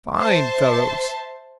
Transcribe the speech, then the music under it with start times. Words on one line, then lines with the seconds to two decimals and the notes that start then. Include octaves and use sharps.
Fine fellows!'
0.20 C5 E5 A5 C6